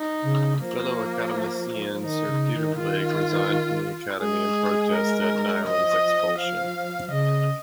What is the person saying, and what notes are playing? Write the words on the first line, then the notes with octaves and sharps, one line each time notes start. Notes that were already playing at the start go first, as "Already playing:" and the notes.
Fellow Academician Sir Peter Blake resigned from the Academy in protest at Neiland's expulsion.
Already playing: D#4
C#3
F3 A#3
D#3 D#4
C#3
D#3
D#3 F4
G#3 G#4
A#4
F3 D#5
F5
C#3 D#5